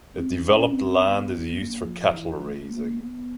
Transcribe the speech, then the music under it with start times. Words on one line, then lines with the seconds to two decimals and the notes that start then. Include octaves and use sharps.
The developed land is used for cattle raising.
0.15 C4
0.43 C#4
0.72 C4
1.00 B3
1.56 A#3
1.85 F3
2.12 E3
2.41 A3
2.69 A#3
2.97 B3